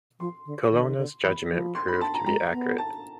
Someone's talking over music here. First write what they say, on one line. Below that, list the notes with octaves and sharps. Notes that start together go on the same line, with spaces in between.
Colonna's judgement proved to be accurate.
F3 C6
D3
D#3
D3
D#3
D3
E3 B5
F3
C6
B5
A5
A#5
G#3 A#5
B3
A5